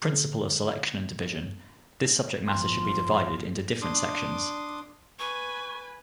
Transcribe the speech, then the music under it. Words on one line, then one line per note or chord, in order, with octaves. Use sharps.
Principle of selection and division: This subject matter should be divided into different sections.
D3
G1 A2 F3 C6
D4 C6 D6 D#6
B4 G#5 C#6